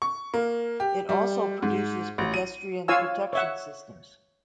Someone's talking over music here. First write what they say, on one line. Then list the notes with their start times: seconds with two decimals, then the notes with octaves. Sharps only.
It also produces pedestrian protection systems.
0.02 C#6
0.34 A#3
0.80 G4
1.09 G3
1.62 G#2
2.18 A1
2.34 D#7
2.88 F4 C#5 F5 G#5 E6
3.33 C#5 E5 F#5